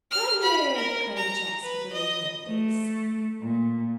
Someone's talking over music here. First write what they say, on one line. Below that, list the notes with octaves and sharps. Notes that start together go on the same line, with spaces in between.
"Butter!" cried Jess with a radiant face.
F6
B5
A#4
A#5
B4
D#5
A3
A#2